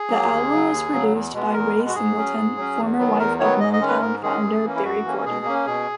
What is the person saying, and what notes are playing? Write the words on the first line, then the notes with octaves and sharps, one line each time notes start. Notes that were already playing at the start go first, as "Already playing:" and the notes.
The album was produced by Ray Singleton, former wife of Motown founder Berry Gordy.
Already playing: G#4
F#3 A#3
D#2
C#3 F#3
D#2
C#3 F#3
E2
B2 G#3 B3
E2 A#4
B2 G#3 B3
F#4
G#2 G#4
F#3 C#4
G#2
F#3 C#4
E2
D#3 F#3 B3
E2 A#4
D#3 F#3 B3 C#5
G#2 D#5
D#5
D#3 G#3 C#4
B4
G#2 A#4
D#3 G#3 C#4 G#4
F#2
E3 A#3 C#4
E4
F#2 F#4
E3 A#3 C#4
B2 G#4
A#3 C#4
B2 G#4